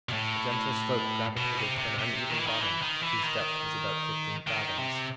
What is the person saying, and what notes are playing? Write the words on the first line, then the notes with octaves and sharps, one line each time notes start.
A gentle slope gravitated to an uneven bottom whose depth was about fifteen fathoms.
B2
A2
B2
C3
C3
C3
D#3
E3
D#3
E3
D#3
E3
D#3
D#3
C3